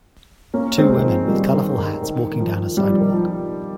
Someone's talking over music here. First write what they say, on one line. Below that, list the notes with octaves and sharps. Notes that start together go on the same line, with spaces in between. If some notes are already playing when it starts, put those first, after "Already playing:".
Two women with colorful hats walking down a sidewalk.
A#3 C#4
G#3 C4
D#3
F3
D#3 G3
D#3
D#3
D#3
D#3
F3
G3
F3
D#3
F3